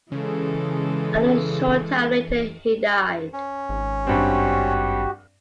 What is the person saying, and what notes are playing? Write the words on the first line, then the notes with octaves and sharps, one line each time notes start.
Only a short time later he died.
C#3 E3 G#3 A4
C#4
G#1
G2 C4 F#4 G4